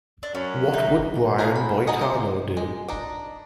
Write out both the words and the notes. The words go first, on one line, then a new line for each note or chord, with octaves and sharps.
What Would Brian Boitano Do?
D4
F#2 C#4
D#4 E5
F3 G#4 A#4 F5
B5
B3 D#4 G#4 D#5 F#5
C5
G#3
D4 D#4